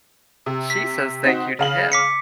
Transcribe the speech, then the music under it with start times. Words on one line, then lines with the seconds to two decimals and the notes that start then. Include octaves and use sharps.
she says "Thank you" to him,
0.46 C3
0.70 B6
1.24 C4 D#4 F#4
1.59 C#3 F5 F#7
1.92 D6 B6 C#7